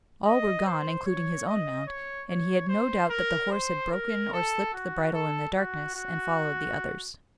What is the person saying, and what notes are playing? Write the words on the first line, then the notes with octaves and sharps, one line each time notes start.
All were gone, including his own mount, and he had no doubt that the horse had broken or slipped the bridle in the darkness and followed the others.
D#5
C5
C#5
D#5
C#5
C#5
C5
A#4
C5
A#4
A4
F#4
A4
F#4
F#4